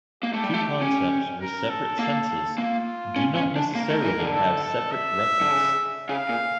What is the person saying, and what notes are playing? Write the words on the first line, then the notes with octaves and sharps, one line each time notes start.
Two concepts with separate senses do not necessarily have separate referents.
A#3 G4
A3
G3
A3
C#4
A#4
A4
A#3 A4
A#3 F4
C#4
C#4
D4
A#3 A#4
A3
E3
D3
A4
A4
E5
D3
C#3
C#3 F5
A#2